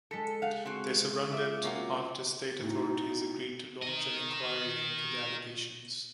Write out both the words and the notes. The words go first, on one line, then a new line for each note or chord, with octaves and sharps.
They surrendered after state authorities agreed to launch an inquiry into the allegations.
G#3 A4 B6 C#7
F5 F#5
C4 F#4
F4 E5 D6
C3 A#3 C#4 F4 F#4
A1 A2 D#4 F#4
A#4 D#5